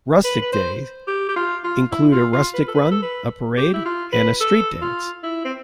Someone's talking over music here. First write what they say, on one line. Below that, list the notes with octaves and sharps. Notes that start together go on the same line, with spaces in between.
Rustic Days include a Rustic Run, a parade, and a street dance.
B4
B4
C5
G4
G4
F4
F4
E4
F4
F4
B4
A4
B4
A4
B4
G4
E4
F4
B4
A4
F4
E4
C4